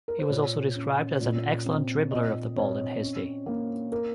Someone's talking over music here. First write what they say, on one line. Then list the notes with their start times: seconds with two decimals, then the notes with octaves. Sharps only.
He was also described as an "excellent dribbler" of the ball in his day.
0.08 A#4
0.19 C5
0.30 A#2 C#5
0.75 C#4
1.21 A#2
1.66 C4
2.11 A#2 D#5
2.56 C4 C#5
3.01 C#4
3.46 A#3
3.92 A#4